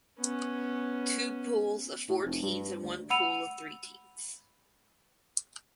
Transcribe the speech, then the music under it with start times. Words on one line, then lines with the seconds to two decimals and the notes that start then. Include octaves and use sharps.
Two pools of four teams and one pool of three teams.
0.19 B3 C#4
2.08 A2
2.24 F1
2.42 G2
2.83 D2
3.10 F#5 B5 E6 C#7 D#7 F7